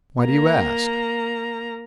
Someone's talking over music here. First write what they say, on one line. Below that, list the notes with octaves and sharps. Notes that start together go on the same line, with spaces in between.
"Why do you ask?"
A#3 A#5